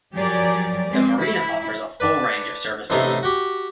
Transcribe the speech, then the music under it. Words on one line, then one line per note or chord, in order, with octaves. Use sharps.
The marina offers a full range of services.
F3 F#3 G4 G#4 A#4 D5
G#3 C4
E4
B4 D5 A5
A1 C3 A3 D#4 C5 D#5
F#4 G4